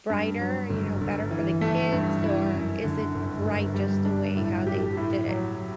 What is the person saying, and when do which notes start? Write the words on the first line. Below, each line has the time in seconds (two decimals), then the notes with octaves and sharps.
brighter, you know, better for the kids? Or is it right just the way how they did it?
0.10 G2
0.40 F#3
0.70 G1
1.01 G1
1.31 E3
1.61 A3
1.92 G2
2.23 E4
2.54 F#2
2.84 D3
3.14 G1
3.45 G1
3.75 G3
4.05 D4
4.37 A2
4.67 G4
4.97 A2
5.28 F#3